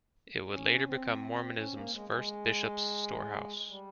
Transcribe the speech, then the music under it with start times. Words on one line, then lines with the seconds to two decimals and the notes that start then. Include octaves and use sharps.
It would later become Mormonism's first bishop's storehouse.
0.51 C#4
0.87 C4
1.57 C#4
1.75 A#3
1.93 G#3
2.09 G#3
3.70 G3